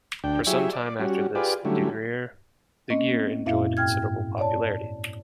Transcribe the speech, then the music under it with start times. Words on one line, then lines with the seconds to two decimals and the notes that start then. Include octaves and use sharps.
For some time after this De Geer enjoyed considerable popularity.
0.24 D2 D4 G5
0.47 F#3 E4 G4 G#4 C#5 E5
0.73 D5
0.99 G3 C#4 F#4
1.35 F4 G4 G#4 B4 D5
1.65 D3 F#3 G3 A3 C#4 E4
2.90 A#3 C4 C#4 D#5
3.46 F#2 A#2 E4 E5 F5
3.77 G#2 G5 F6 G#6
4.38 C#5 D5 A5